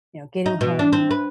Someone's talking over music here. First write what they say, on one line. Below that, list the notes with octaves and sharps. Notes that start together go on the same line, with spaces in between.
you know, getting home,
D#4
B2
D4
C4
B4